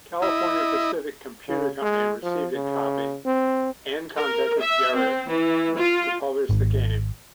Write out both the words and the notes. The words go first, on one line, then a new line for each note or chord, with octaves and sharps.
California Pacific Computer Company received a copy, and contacted Garriott to publish the game.
E4 D#5
C#3
G#3
F3
C#3
C4
A#4
E5
C4
E3
F4
G#1